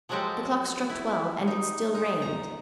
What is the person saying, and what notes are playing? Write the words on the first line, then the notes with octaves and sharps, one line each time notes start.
The clock struck twelve, and it still rained.
F3 F#3 G#3 F#4 G4 A4
E4
D#4
A#2 D#4
A#5